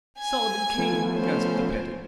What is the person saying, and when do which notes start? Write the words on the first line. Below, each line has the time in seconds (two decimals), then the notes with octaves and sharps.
"Solomon Kane!" gasped the bandit.
0.19 G#5 G#6
0.78 F3 A3 B3
1.15 C#4 C5